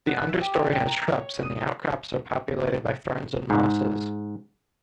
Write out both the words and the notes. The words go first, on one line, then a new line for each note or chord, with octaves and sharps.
The understory has shrubs and the outcrops are populated by ferns and mosses.
B3
E5
G4
G5
A#5
C#5
D#6
D#5
G#2